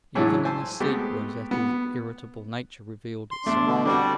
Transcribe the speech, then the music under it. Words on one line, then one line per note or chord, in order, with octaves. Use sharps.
Even in his sleep Rosette's irritable nature revealed itself.
A2 E3 F#3 G#3 D4 E4
C5 G#5 A5 C6 E6
G#3 A3 B3 C4 G4 A4
B3
C6
E2 A3 D4
B2 D3
D3 G3 C4 D4 F#4